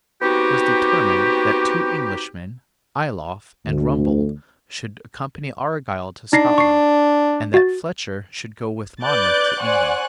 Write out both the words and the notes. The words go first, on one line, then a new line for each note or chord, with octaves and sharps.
It was determined that two Englishmen, Ayloffe and Rumbold, should accompany Argyle to Scotland, and that Fletcher should go with Monmouth to England.
B3 C4 D#4 F#4 G4
D2
D4 D#4 A#6 C7
C#6 C7
F#4 A6
B4 D5 D6 F#6 G6 A6
C5 D5 F#5 G#5 C#6 F#6